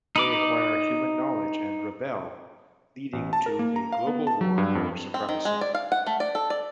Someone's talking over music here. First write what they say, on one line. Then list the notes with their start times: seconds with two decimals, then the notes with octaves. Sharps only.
They acquire human knowledge and rebel, leading to a global war for supremacy.
0.16 D#4 B5 D6
3.13 A1
3.33 A5
3.46 A#4
3.59 A#3
3.76 A#5
3.92 F5
4.07 B3
4.27 A5
4.41 F#3
4.58 G2
4.75 F2
5.14 C4
5.29 D#3
5.45 G#3
5.61 D5
5.75 F5
5.92 F#5
6.07 A3
6.20 D5
6.35 A4
6.50 D5